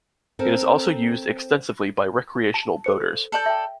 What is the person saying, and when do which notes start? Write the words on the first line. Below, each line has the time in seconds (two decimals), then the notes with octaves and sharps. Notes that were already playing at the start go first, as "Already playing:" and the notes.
It is also used extensively by recreational boaters.
0.39 C4 A4 A#4
2.54 A5
2.84 A4 C5 C#7
3.32 A4 D5 G6
3.46 E5 G5